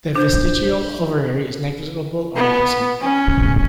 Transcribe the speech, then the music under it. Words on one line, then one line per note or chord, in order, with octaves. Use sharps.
The vestigial ovary is negligible or absent.
D4 C5
B3
C#4